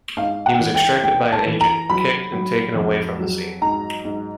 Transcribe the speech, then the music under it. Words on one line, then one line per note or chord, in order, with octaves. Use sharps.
He was extracted by an agent, kicked, and taken away from the scene.
G#2 F5
F#5
E3
G5
A3 G5
A5
E3
A#5
F#3 B5
F#3
F2
F#3
G#2 A#5
G#2